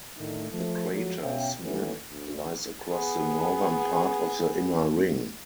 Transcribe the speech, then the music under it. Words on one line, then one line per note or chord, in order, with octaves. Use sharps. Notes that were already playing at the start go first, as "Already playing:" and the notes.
The crater Smith lies across the northern part of the inner ring.
A2 D3 D#3 A3
F3 A3
F3 F#3 G#3 A3 F4 F#4
B2 C#4 E5 F5 G5
D#2 E3 F#3 A3 B3 C#4
D2
B3 G#4